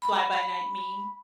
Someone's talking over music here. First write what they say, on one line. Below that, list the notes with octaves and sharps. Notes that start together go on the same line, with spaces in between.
fly-by-night meme,
B5